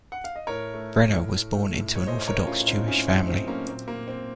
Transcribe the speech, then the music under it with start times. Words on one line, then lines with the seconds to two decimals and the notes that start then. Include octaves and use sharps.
Brenner was born into an Orthodox Jewish family.
0.12 F#5
0.24 F5
0.36 D#5
0.47 A2 A#4 C#5
0.74 A3
1.00 A2
1.27 A3
1.54 A3
1.80 A2
1.95 C#5
2.07 A3 C5 D#5
2.28 A#4 C#5
2.34 A3
2.47 C#4 F4
2.61 A2
2.68 C4 D#4
2.87 A2 C#4 F4
3.08 C4 D#4
3.14 A3
3.27 C4
3.41 F#3
3.48 A#3 C#4
3.68 A#2 C4
3.88 A#3
3.94 A#2
4.08 C4